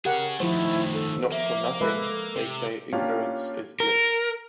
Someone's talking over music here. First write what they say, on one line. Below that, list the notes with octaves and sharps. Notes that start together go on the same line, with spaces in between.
Not for nothing they say ignorance is bliss.
G4 G#4 A#4 C#5 F#5
D#3 F3 A3 E4 C5
A4
A#3 E5
G#3 A4 B4 E5
C3
A#3 C#4 D4 F4 G4 F5
A#4